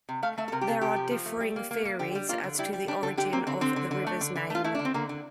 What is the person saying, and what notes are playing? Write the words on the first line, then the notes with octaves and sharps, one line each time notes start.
There are differing theories as to the origin of the river's name.
C3
A3 F5
A3 E5
A4
C3 A#4
G4
C3 A4
C3 G4
F3
F3
A3
G3
A#3
A#3
A#3
D3 G4
G3
A#3 F4
D3
G3 E4
G3
G3 D4
D3 A4
D3 G4
A#3 C4
D3 C4
D3 C4
D3
D3
A3
D3
D3
A3 F4
A3 E4
D3 D4
C4
D3 A#3
D3